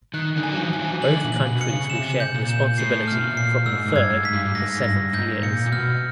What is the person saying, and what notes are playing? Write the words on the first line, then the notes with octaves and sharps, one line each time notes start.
Both countries will share responsibility from the third to seventh years.
D#3 F#6
D3 E3
G#5
F#3
D#3 F3
F3 G#5
E3 F#3
D3 E3 F#7
A#2
F#7
B2
C#7
C#3
C3 E7
G6
A#2
E7
A2 C7
B2 F6
A#2
C7
G#2 E6
G2
G#6
G#2
B6
G2
G2
G#2 A#6
G#2
G2 A#6
G#2 G6
A#2 C#7
A#2
B2 F6